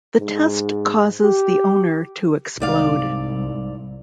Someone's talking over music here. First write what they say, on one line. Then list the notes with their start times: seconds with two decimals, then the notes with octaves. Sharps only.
The test causes the owner to explode.
0.19 G#2
1.22 G4
2.60 C2 G#2 D5 F5